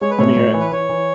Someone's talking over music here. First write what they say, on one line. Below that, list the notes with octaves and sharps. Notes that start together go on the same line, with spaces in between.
Let me hear it.
G#3 C#5
B4
A2 C#5
A2
E3
B4
E3 C#5
E3